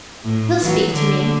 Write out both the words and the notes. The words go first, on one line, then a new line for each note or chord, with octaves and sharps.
He'll speak to me.
A2
E3 F#3
D3